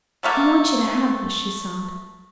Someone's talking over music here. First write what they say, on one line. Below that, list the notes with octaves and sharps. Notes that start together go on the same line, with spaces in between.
"I want you to have this," she sobbed.
F#3 A3 A#3